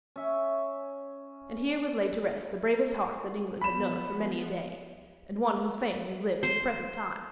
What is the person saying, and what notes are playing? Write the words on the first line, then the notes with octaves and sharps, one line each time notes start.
And here was laid to rest the bravest heart that England had known for many a day, and one whose fame has lived to the present time.
C#4 E5
F3 B3 B5 E7
C5 C6